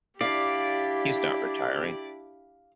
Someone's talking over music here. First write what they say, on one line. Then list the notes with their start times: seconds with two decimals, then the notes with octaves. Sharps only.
He's not retiring.
0.21 D4 E4 G4 D5 F5